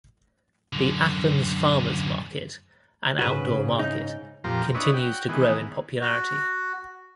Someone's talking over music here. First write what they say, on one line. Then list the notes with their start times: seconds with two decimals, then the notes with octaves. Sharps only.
The Athens Farmers Market, an outdoor market, continues to grow in popularity.
0.73 F#2 D3
3.19 G#2 C#3 F#4 B4
3.79 D#4
4.44 F2 A#2 F3 G4 A#5 C6
4.75 D4 E4 B4 C#5 D#5
4.94 F#4 G5
5.29 D#3 E3 G#3 B3
6.01 F#4